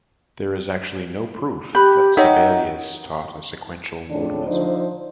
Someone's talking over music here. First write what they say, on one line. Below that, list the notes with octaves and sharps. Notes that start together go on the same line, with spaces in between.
There is actually no proof that Sabellius taught a sequential modalism.
G4 B5 F#6 G6
D#4 C#5 D#5 E5 F#5 G5
F2 A2 C#3 D4
D3 F3 D4 D#4 C5